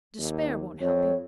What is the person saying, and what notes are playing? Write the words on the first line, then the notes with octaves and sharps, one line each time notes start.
Despair won't help you.
D#2
F2 C#5